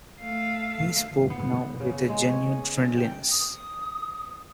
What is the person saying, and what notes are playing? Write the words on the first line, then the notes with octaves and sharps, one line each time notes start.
He spoke now with a genuine friendliness.
A3 F5
B3
C#3
G#3
C#5
D#5
G5
D#6